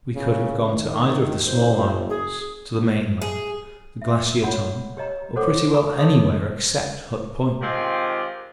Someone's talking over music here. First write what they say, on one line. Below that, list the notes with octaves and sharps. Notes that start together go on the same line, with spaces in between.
We could have gone to either of the small islands, to the mainland, the Glacier Tongue, or pretty well anywhere except Hut Point.
C#3
D#3
F#1 C5
G#4
G#4
E5
F4 C#5 F#5 B5 C6
G4 C#5 D#5 A#5
F#4 A4 C5 C#5 F#5 D6
A4 A#5 B5 C#6
D#4 F#4 G#4 C#5 D#5 D#6
D#3 G#3 C4 F4 G4